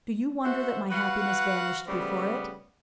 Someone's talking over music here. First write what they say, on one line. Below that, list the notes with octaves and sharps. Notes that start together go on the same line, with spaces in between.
Do you wonder that my happiness vanished before it?
F#4 A4 C5 E5 F#5
F#4 B4 F5 F#5
C#3 F3 G3 A3 B3